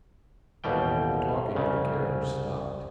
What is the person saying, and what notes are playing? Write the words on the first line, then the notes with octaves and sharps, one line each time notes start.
The talking in the carriage stopped.
A1 D#2 B2 G3 G5
C2 C#3